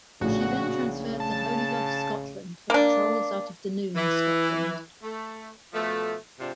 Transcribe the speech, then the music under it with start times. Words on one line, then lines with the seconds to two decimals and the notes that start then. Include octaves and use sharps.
She then transferred to Holy Loch, Scotland, for patrols out of Dunoon, Scotland.
0.21 A#1 A2 C#3 F#4
1.20 A5
2.70 A#3 D4
3.95 E3
5.02 A3
5.73 B2 F3 A3
6.39 G#2 C3 C4 D4 F4